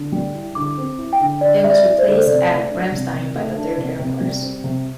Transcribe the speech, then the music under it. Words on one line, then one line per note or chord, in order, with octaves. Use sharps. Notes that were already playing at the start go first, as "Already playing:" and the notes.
It was replaced at Ramstein by the Third Air Force.
Already playing: D3
G3
E4
D3 D6
C4
E4
G5
D3
D3 D5
C4 E5
D5
E4
C5
D3 A4
C5
C3 D5
A3
D4
C3
C3
A3
D4
C3
C3
G3
C4
C3